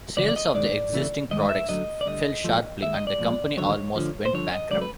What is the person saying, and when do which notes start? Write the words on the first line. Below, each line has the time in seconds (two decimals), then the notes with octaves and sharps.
Sales of the existing products fell sharply, and the company almost went bankrupt.
0.17 F#2 C#3 E3 D5
0.29 D5
0.36 D#5
0.55 G2 D#3 G#3 D5
0.93 E2 C#3 E3 A3
1.30 G2 D#3 G#3 D#5
1.49 E5
1.68 F#2 D3 F#3 A3 D#5
2.01 D5
2.06 D2 D3 G3 D#5
2.44 G#2 F3 A3
2.82 D#2 D#3 G#3 E5
2.94 D#5
3.07 D5
3.19 A#2 F3 G#3
3.57 D#2 D3 F#3 C#5
3.96 D2 D3 F3
4.25 C5
4.33 G2 D3 F3 C#5
4.53 D#5
4.71 C#2 C#3 F#3 A3 D5
4.81 B4